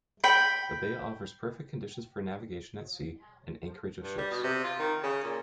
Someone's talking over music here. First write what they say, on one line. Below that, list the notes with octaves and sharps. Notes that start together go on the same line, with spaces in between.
The bay offers perfect conditions for navigation at sea and anchorage of ships.
G5 B5
G2
G3
B2
C3
F4
D#3
C#3
A#2